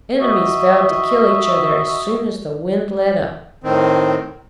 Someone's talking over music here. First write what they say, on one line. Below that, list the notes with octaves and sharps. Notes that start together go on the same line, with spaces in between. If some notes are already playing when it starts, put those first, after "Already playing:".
Enemies vowed to kill each other as soon as the wind let up.
F#4 D#5 E5 C#6
A2 D#3 C4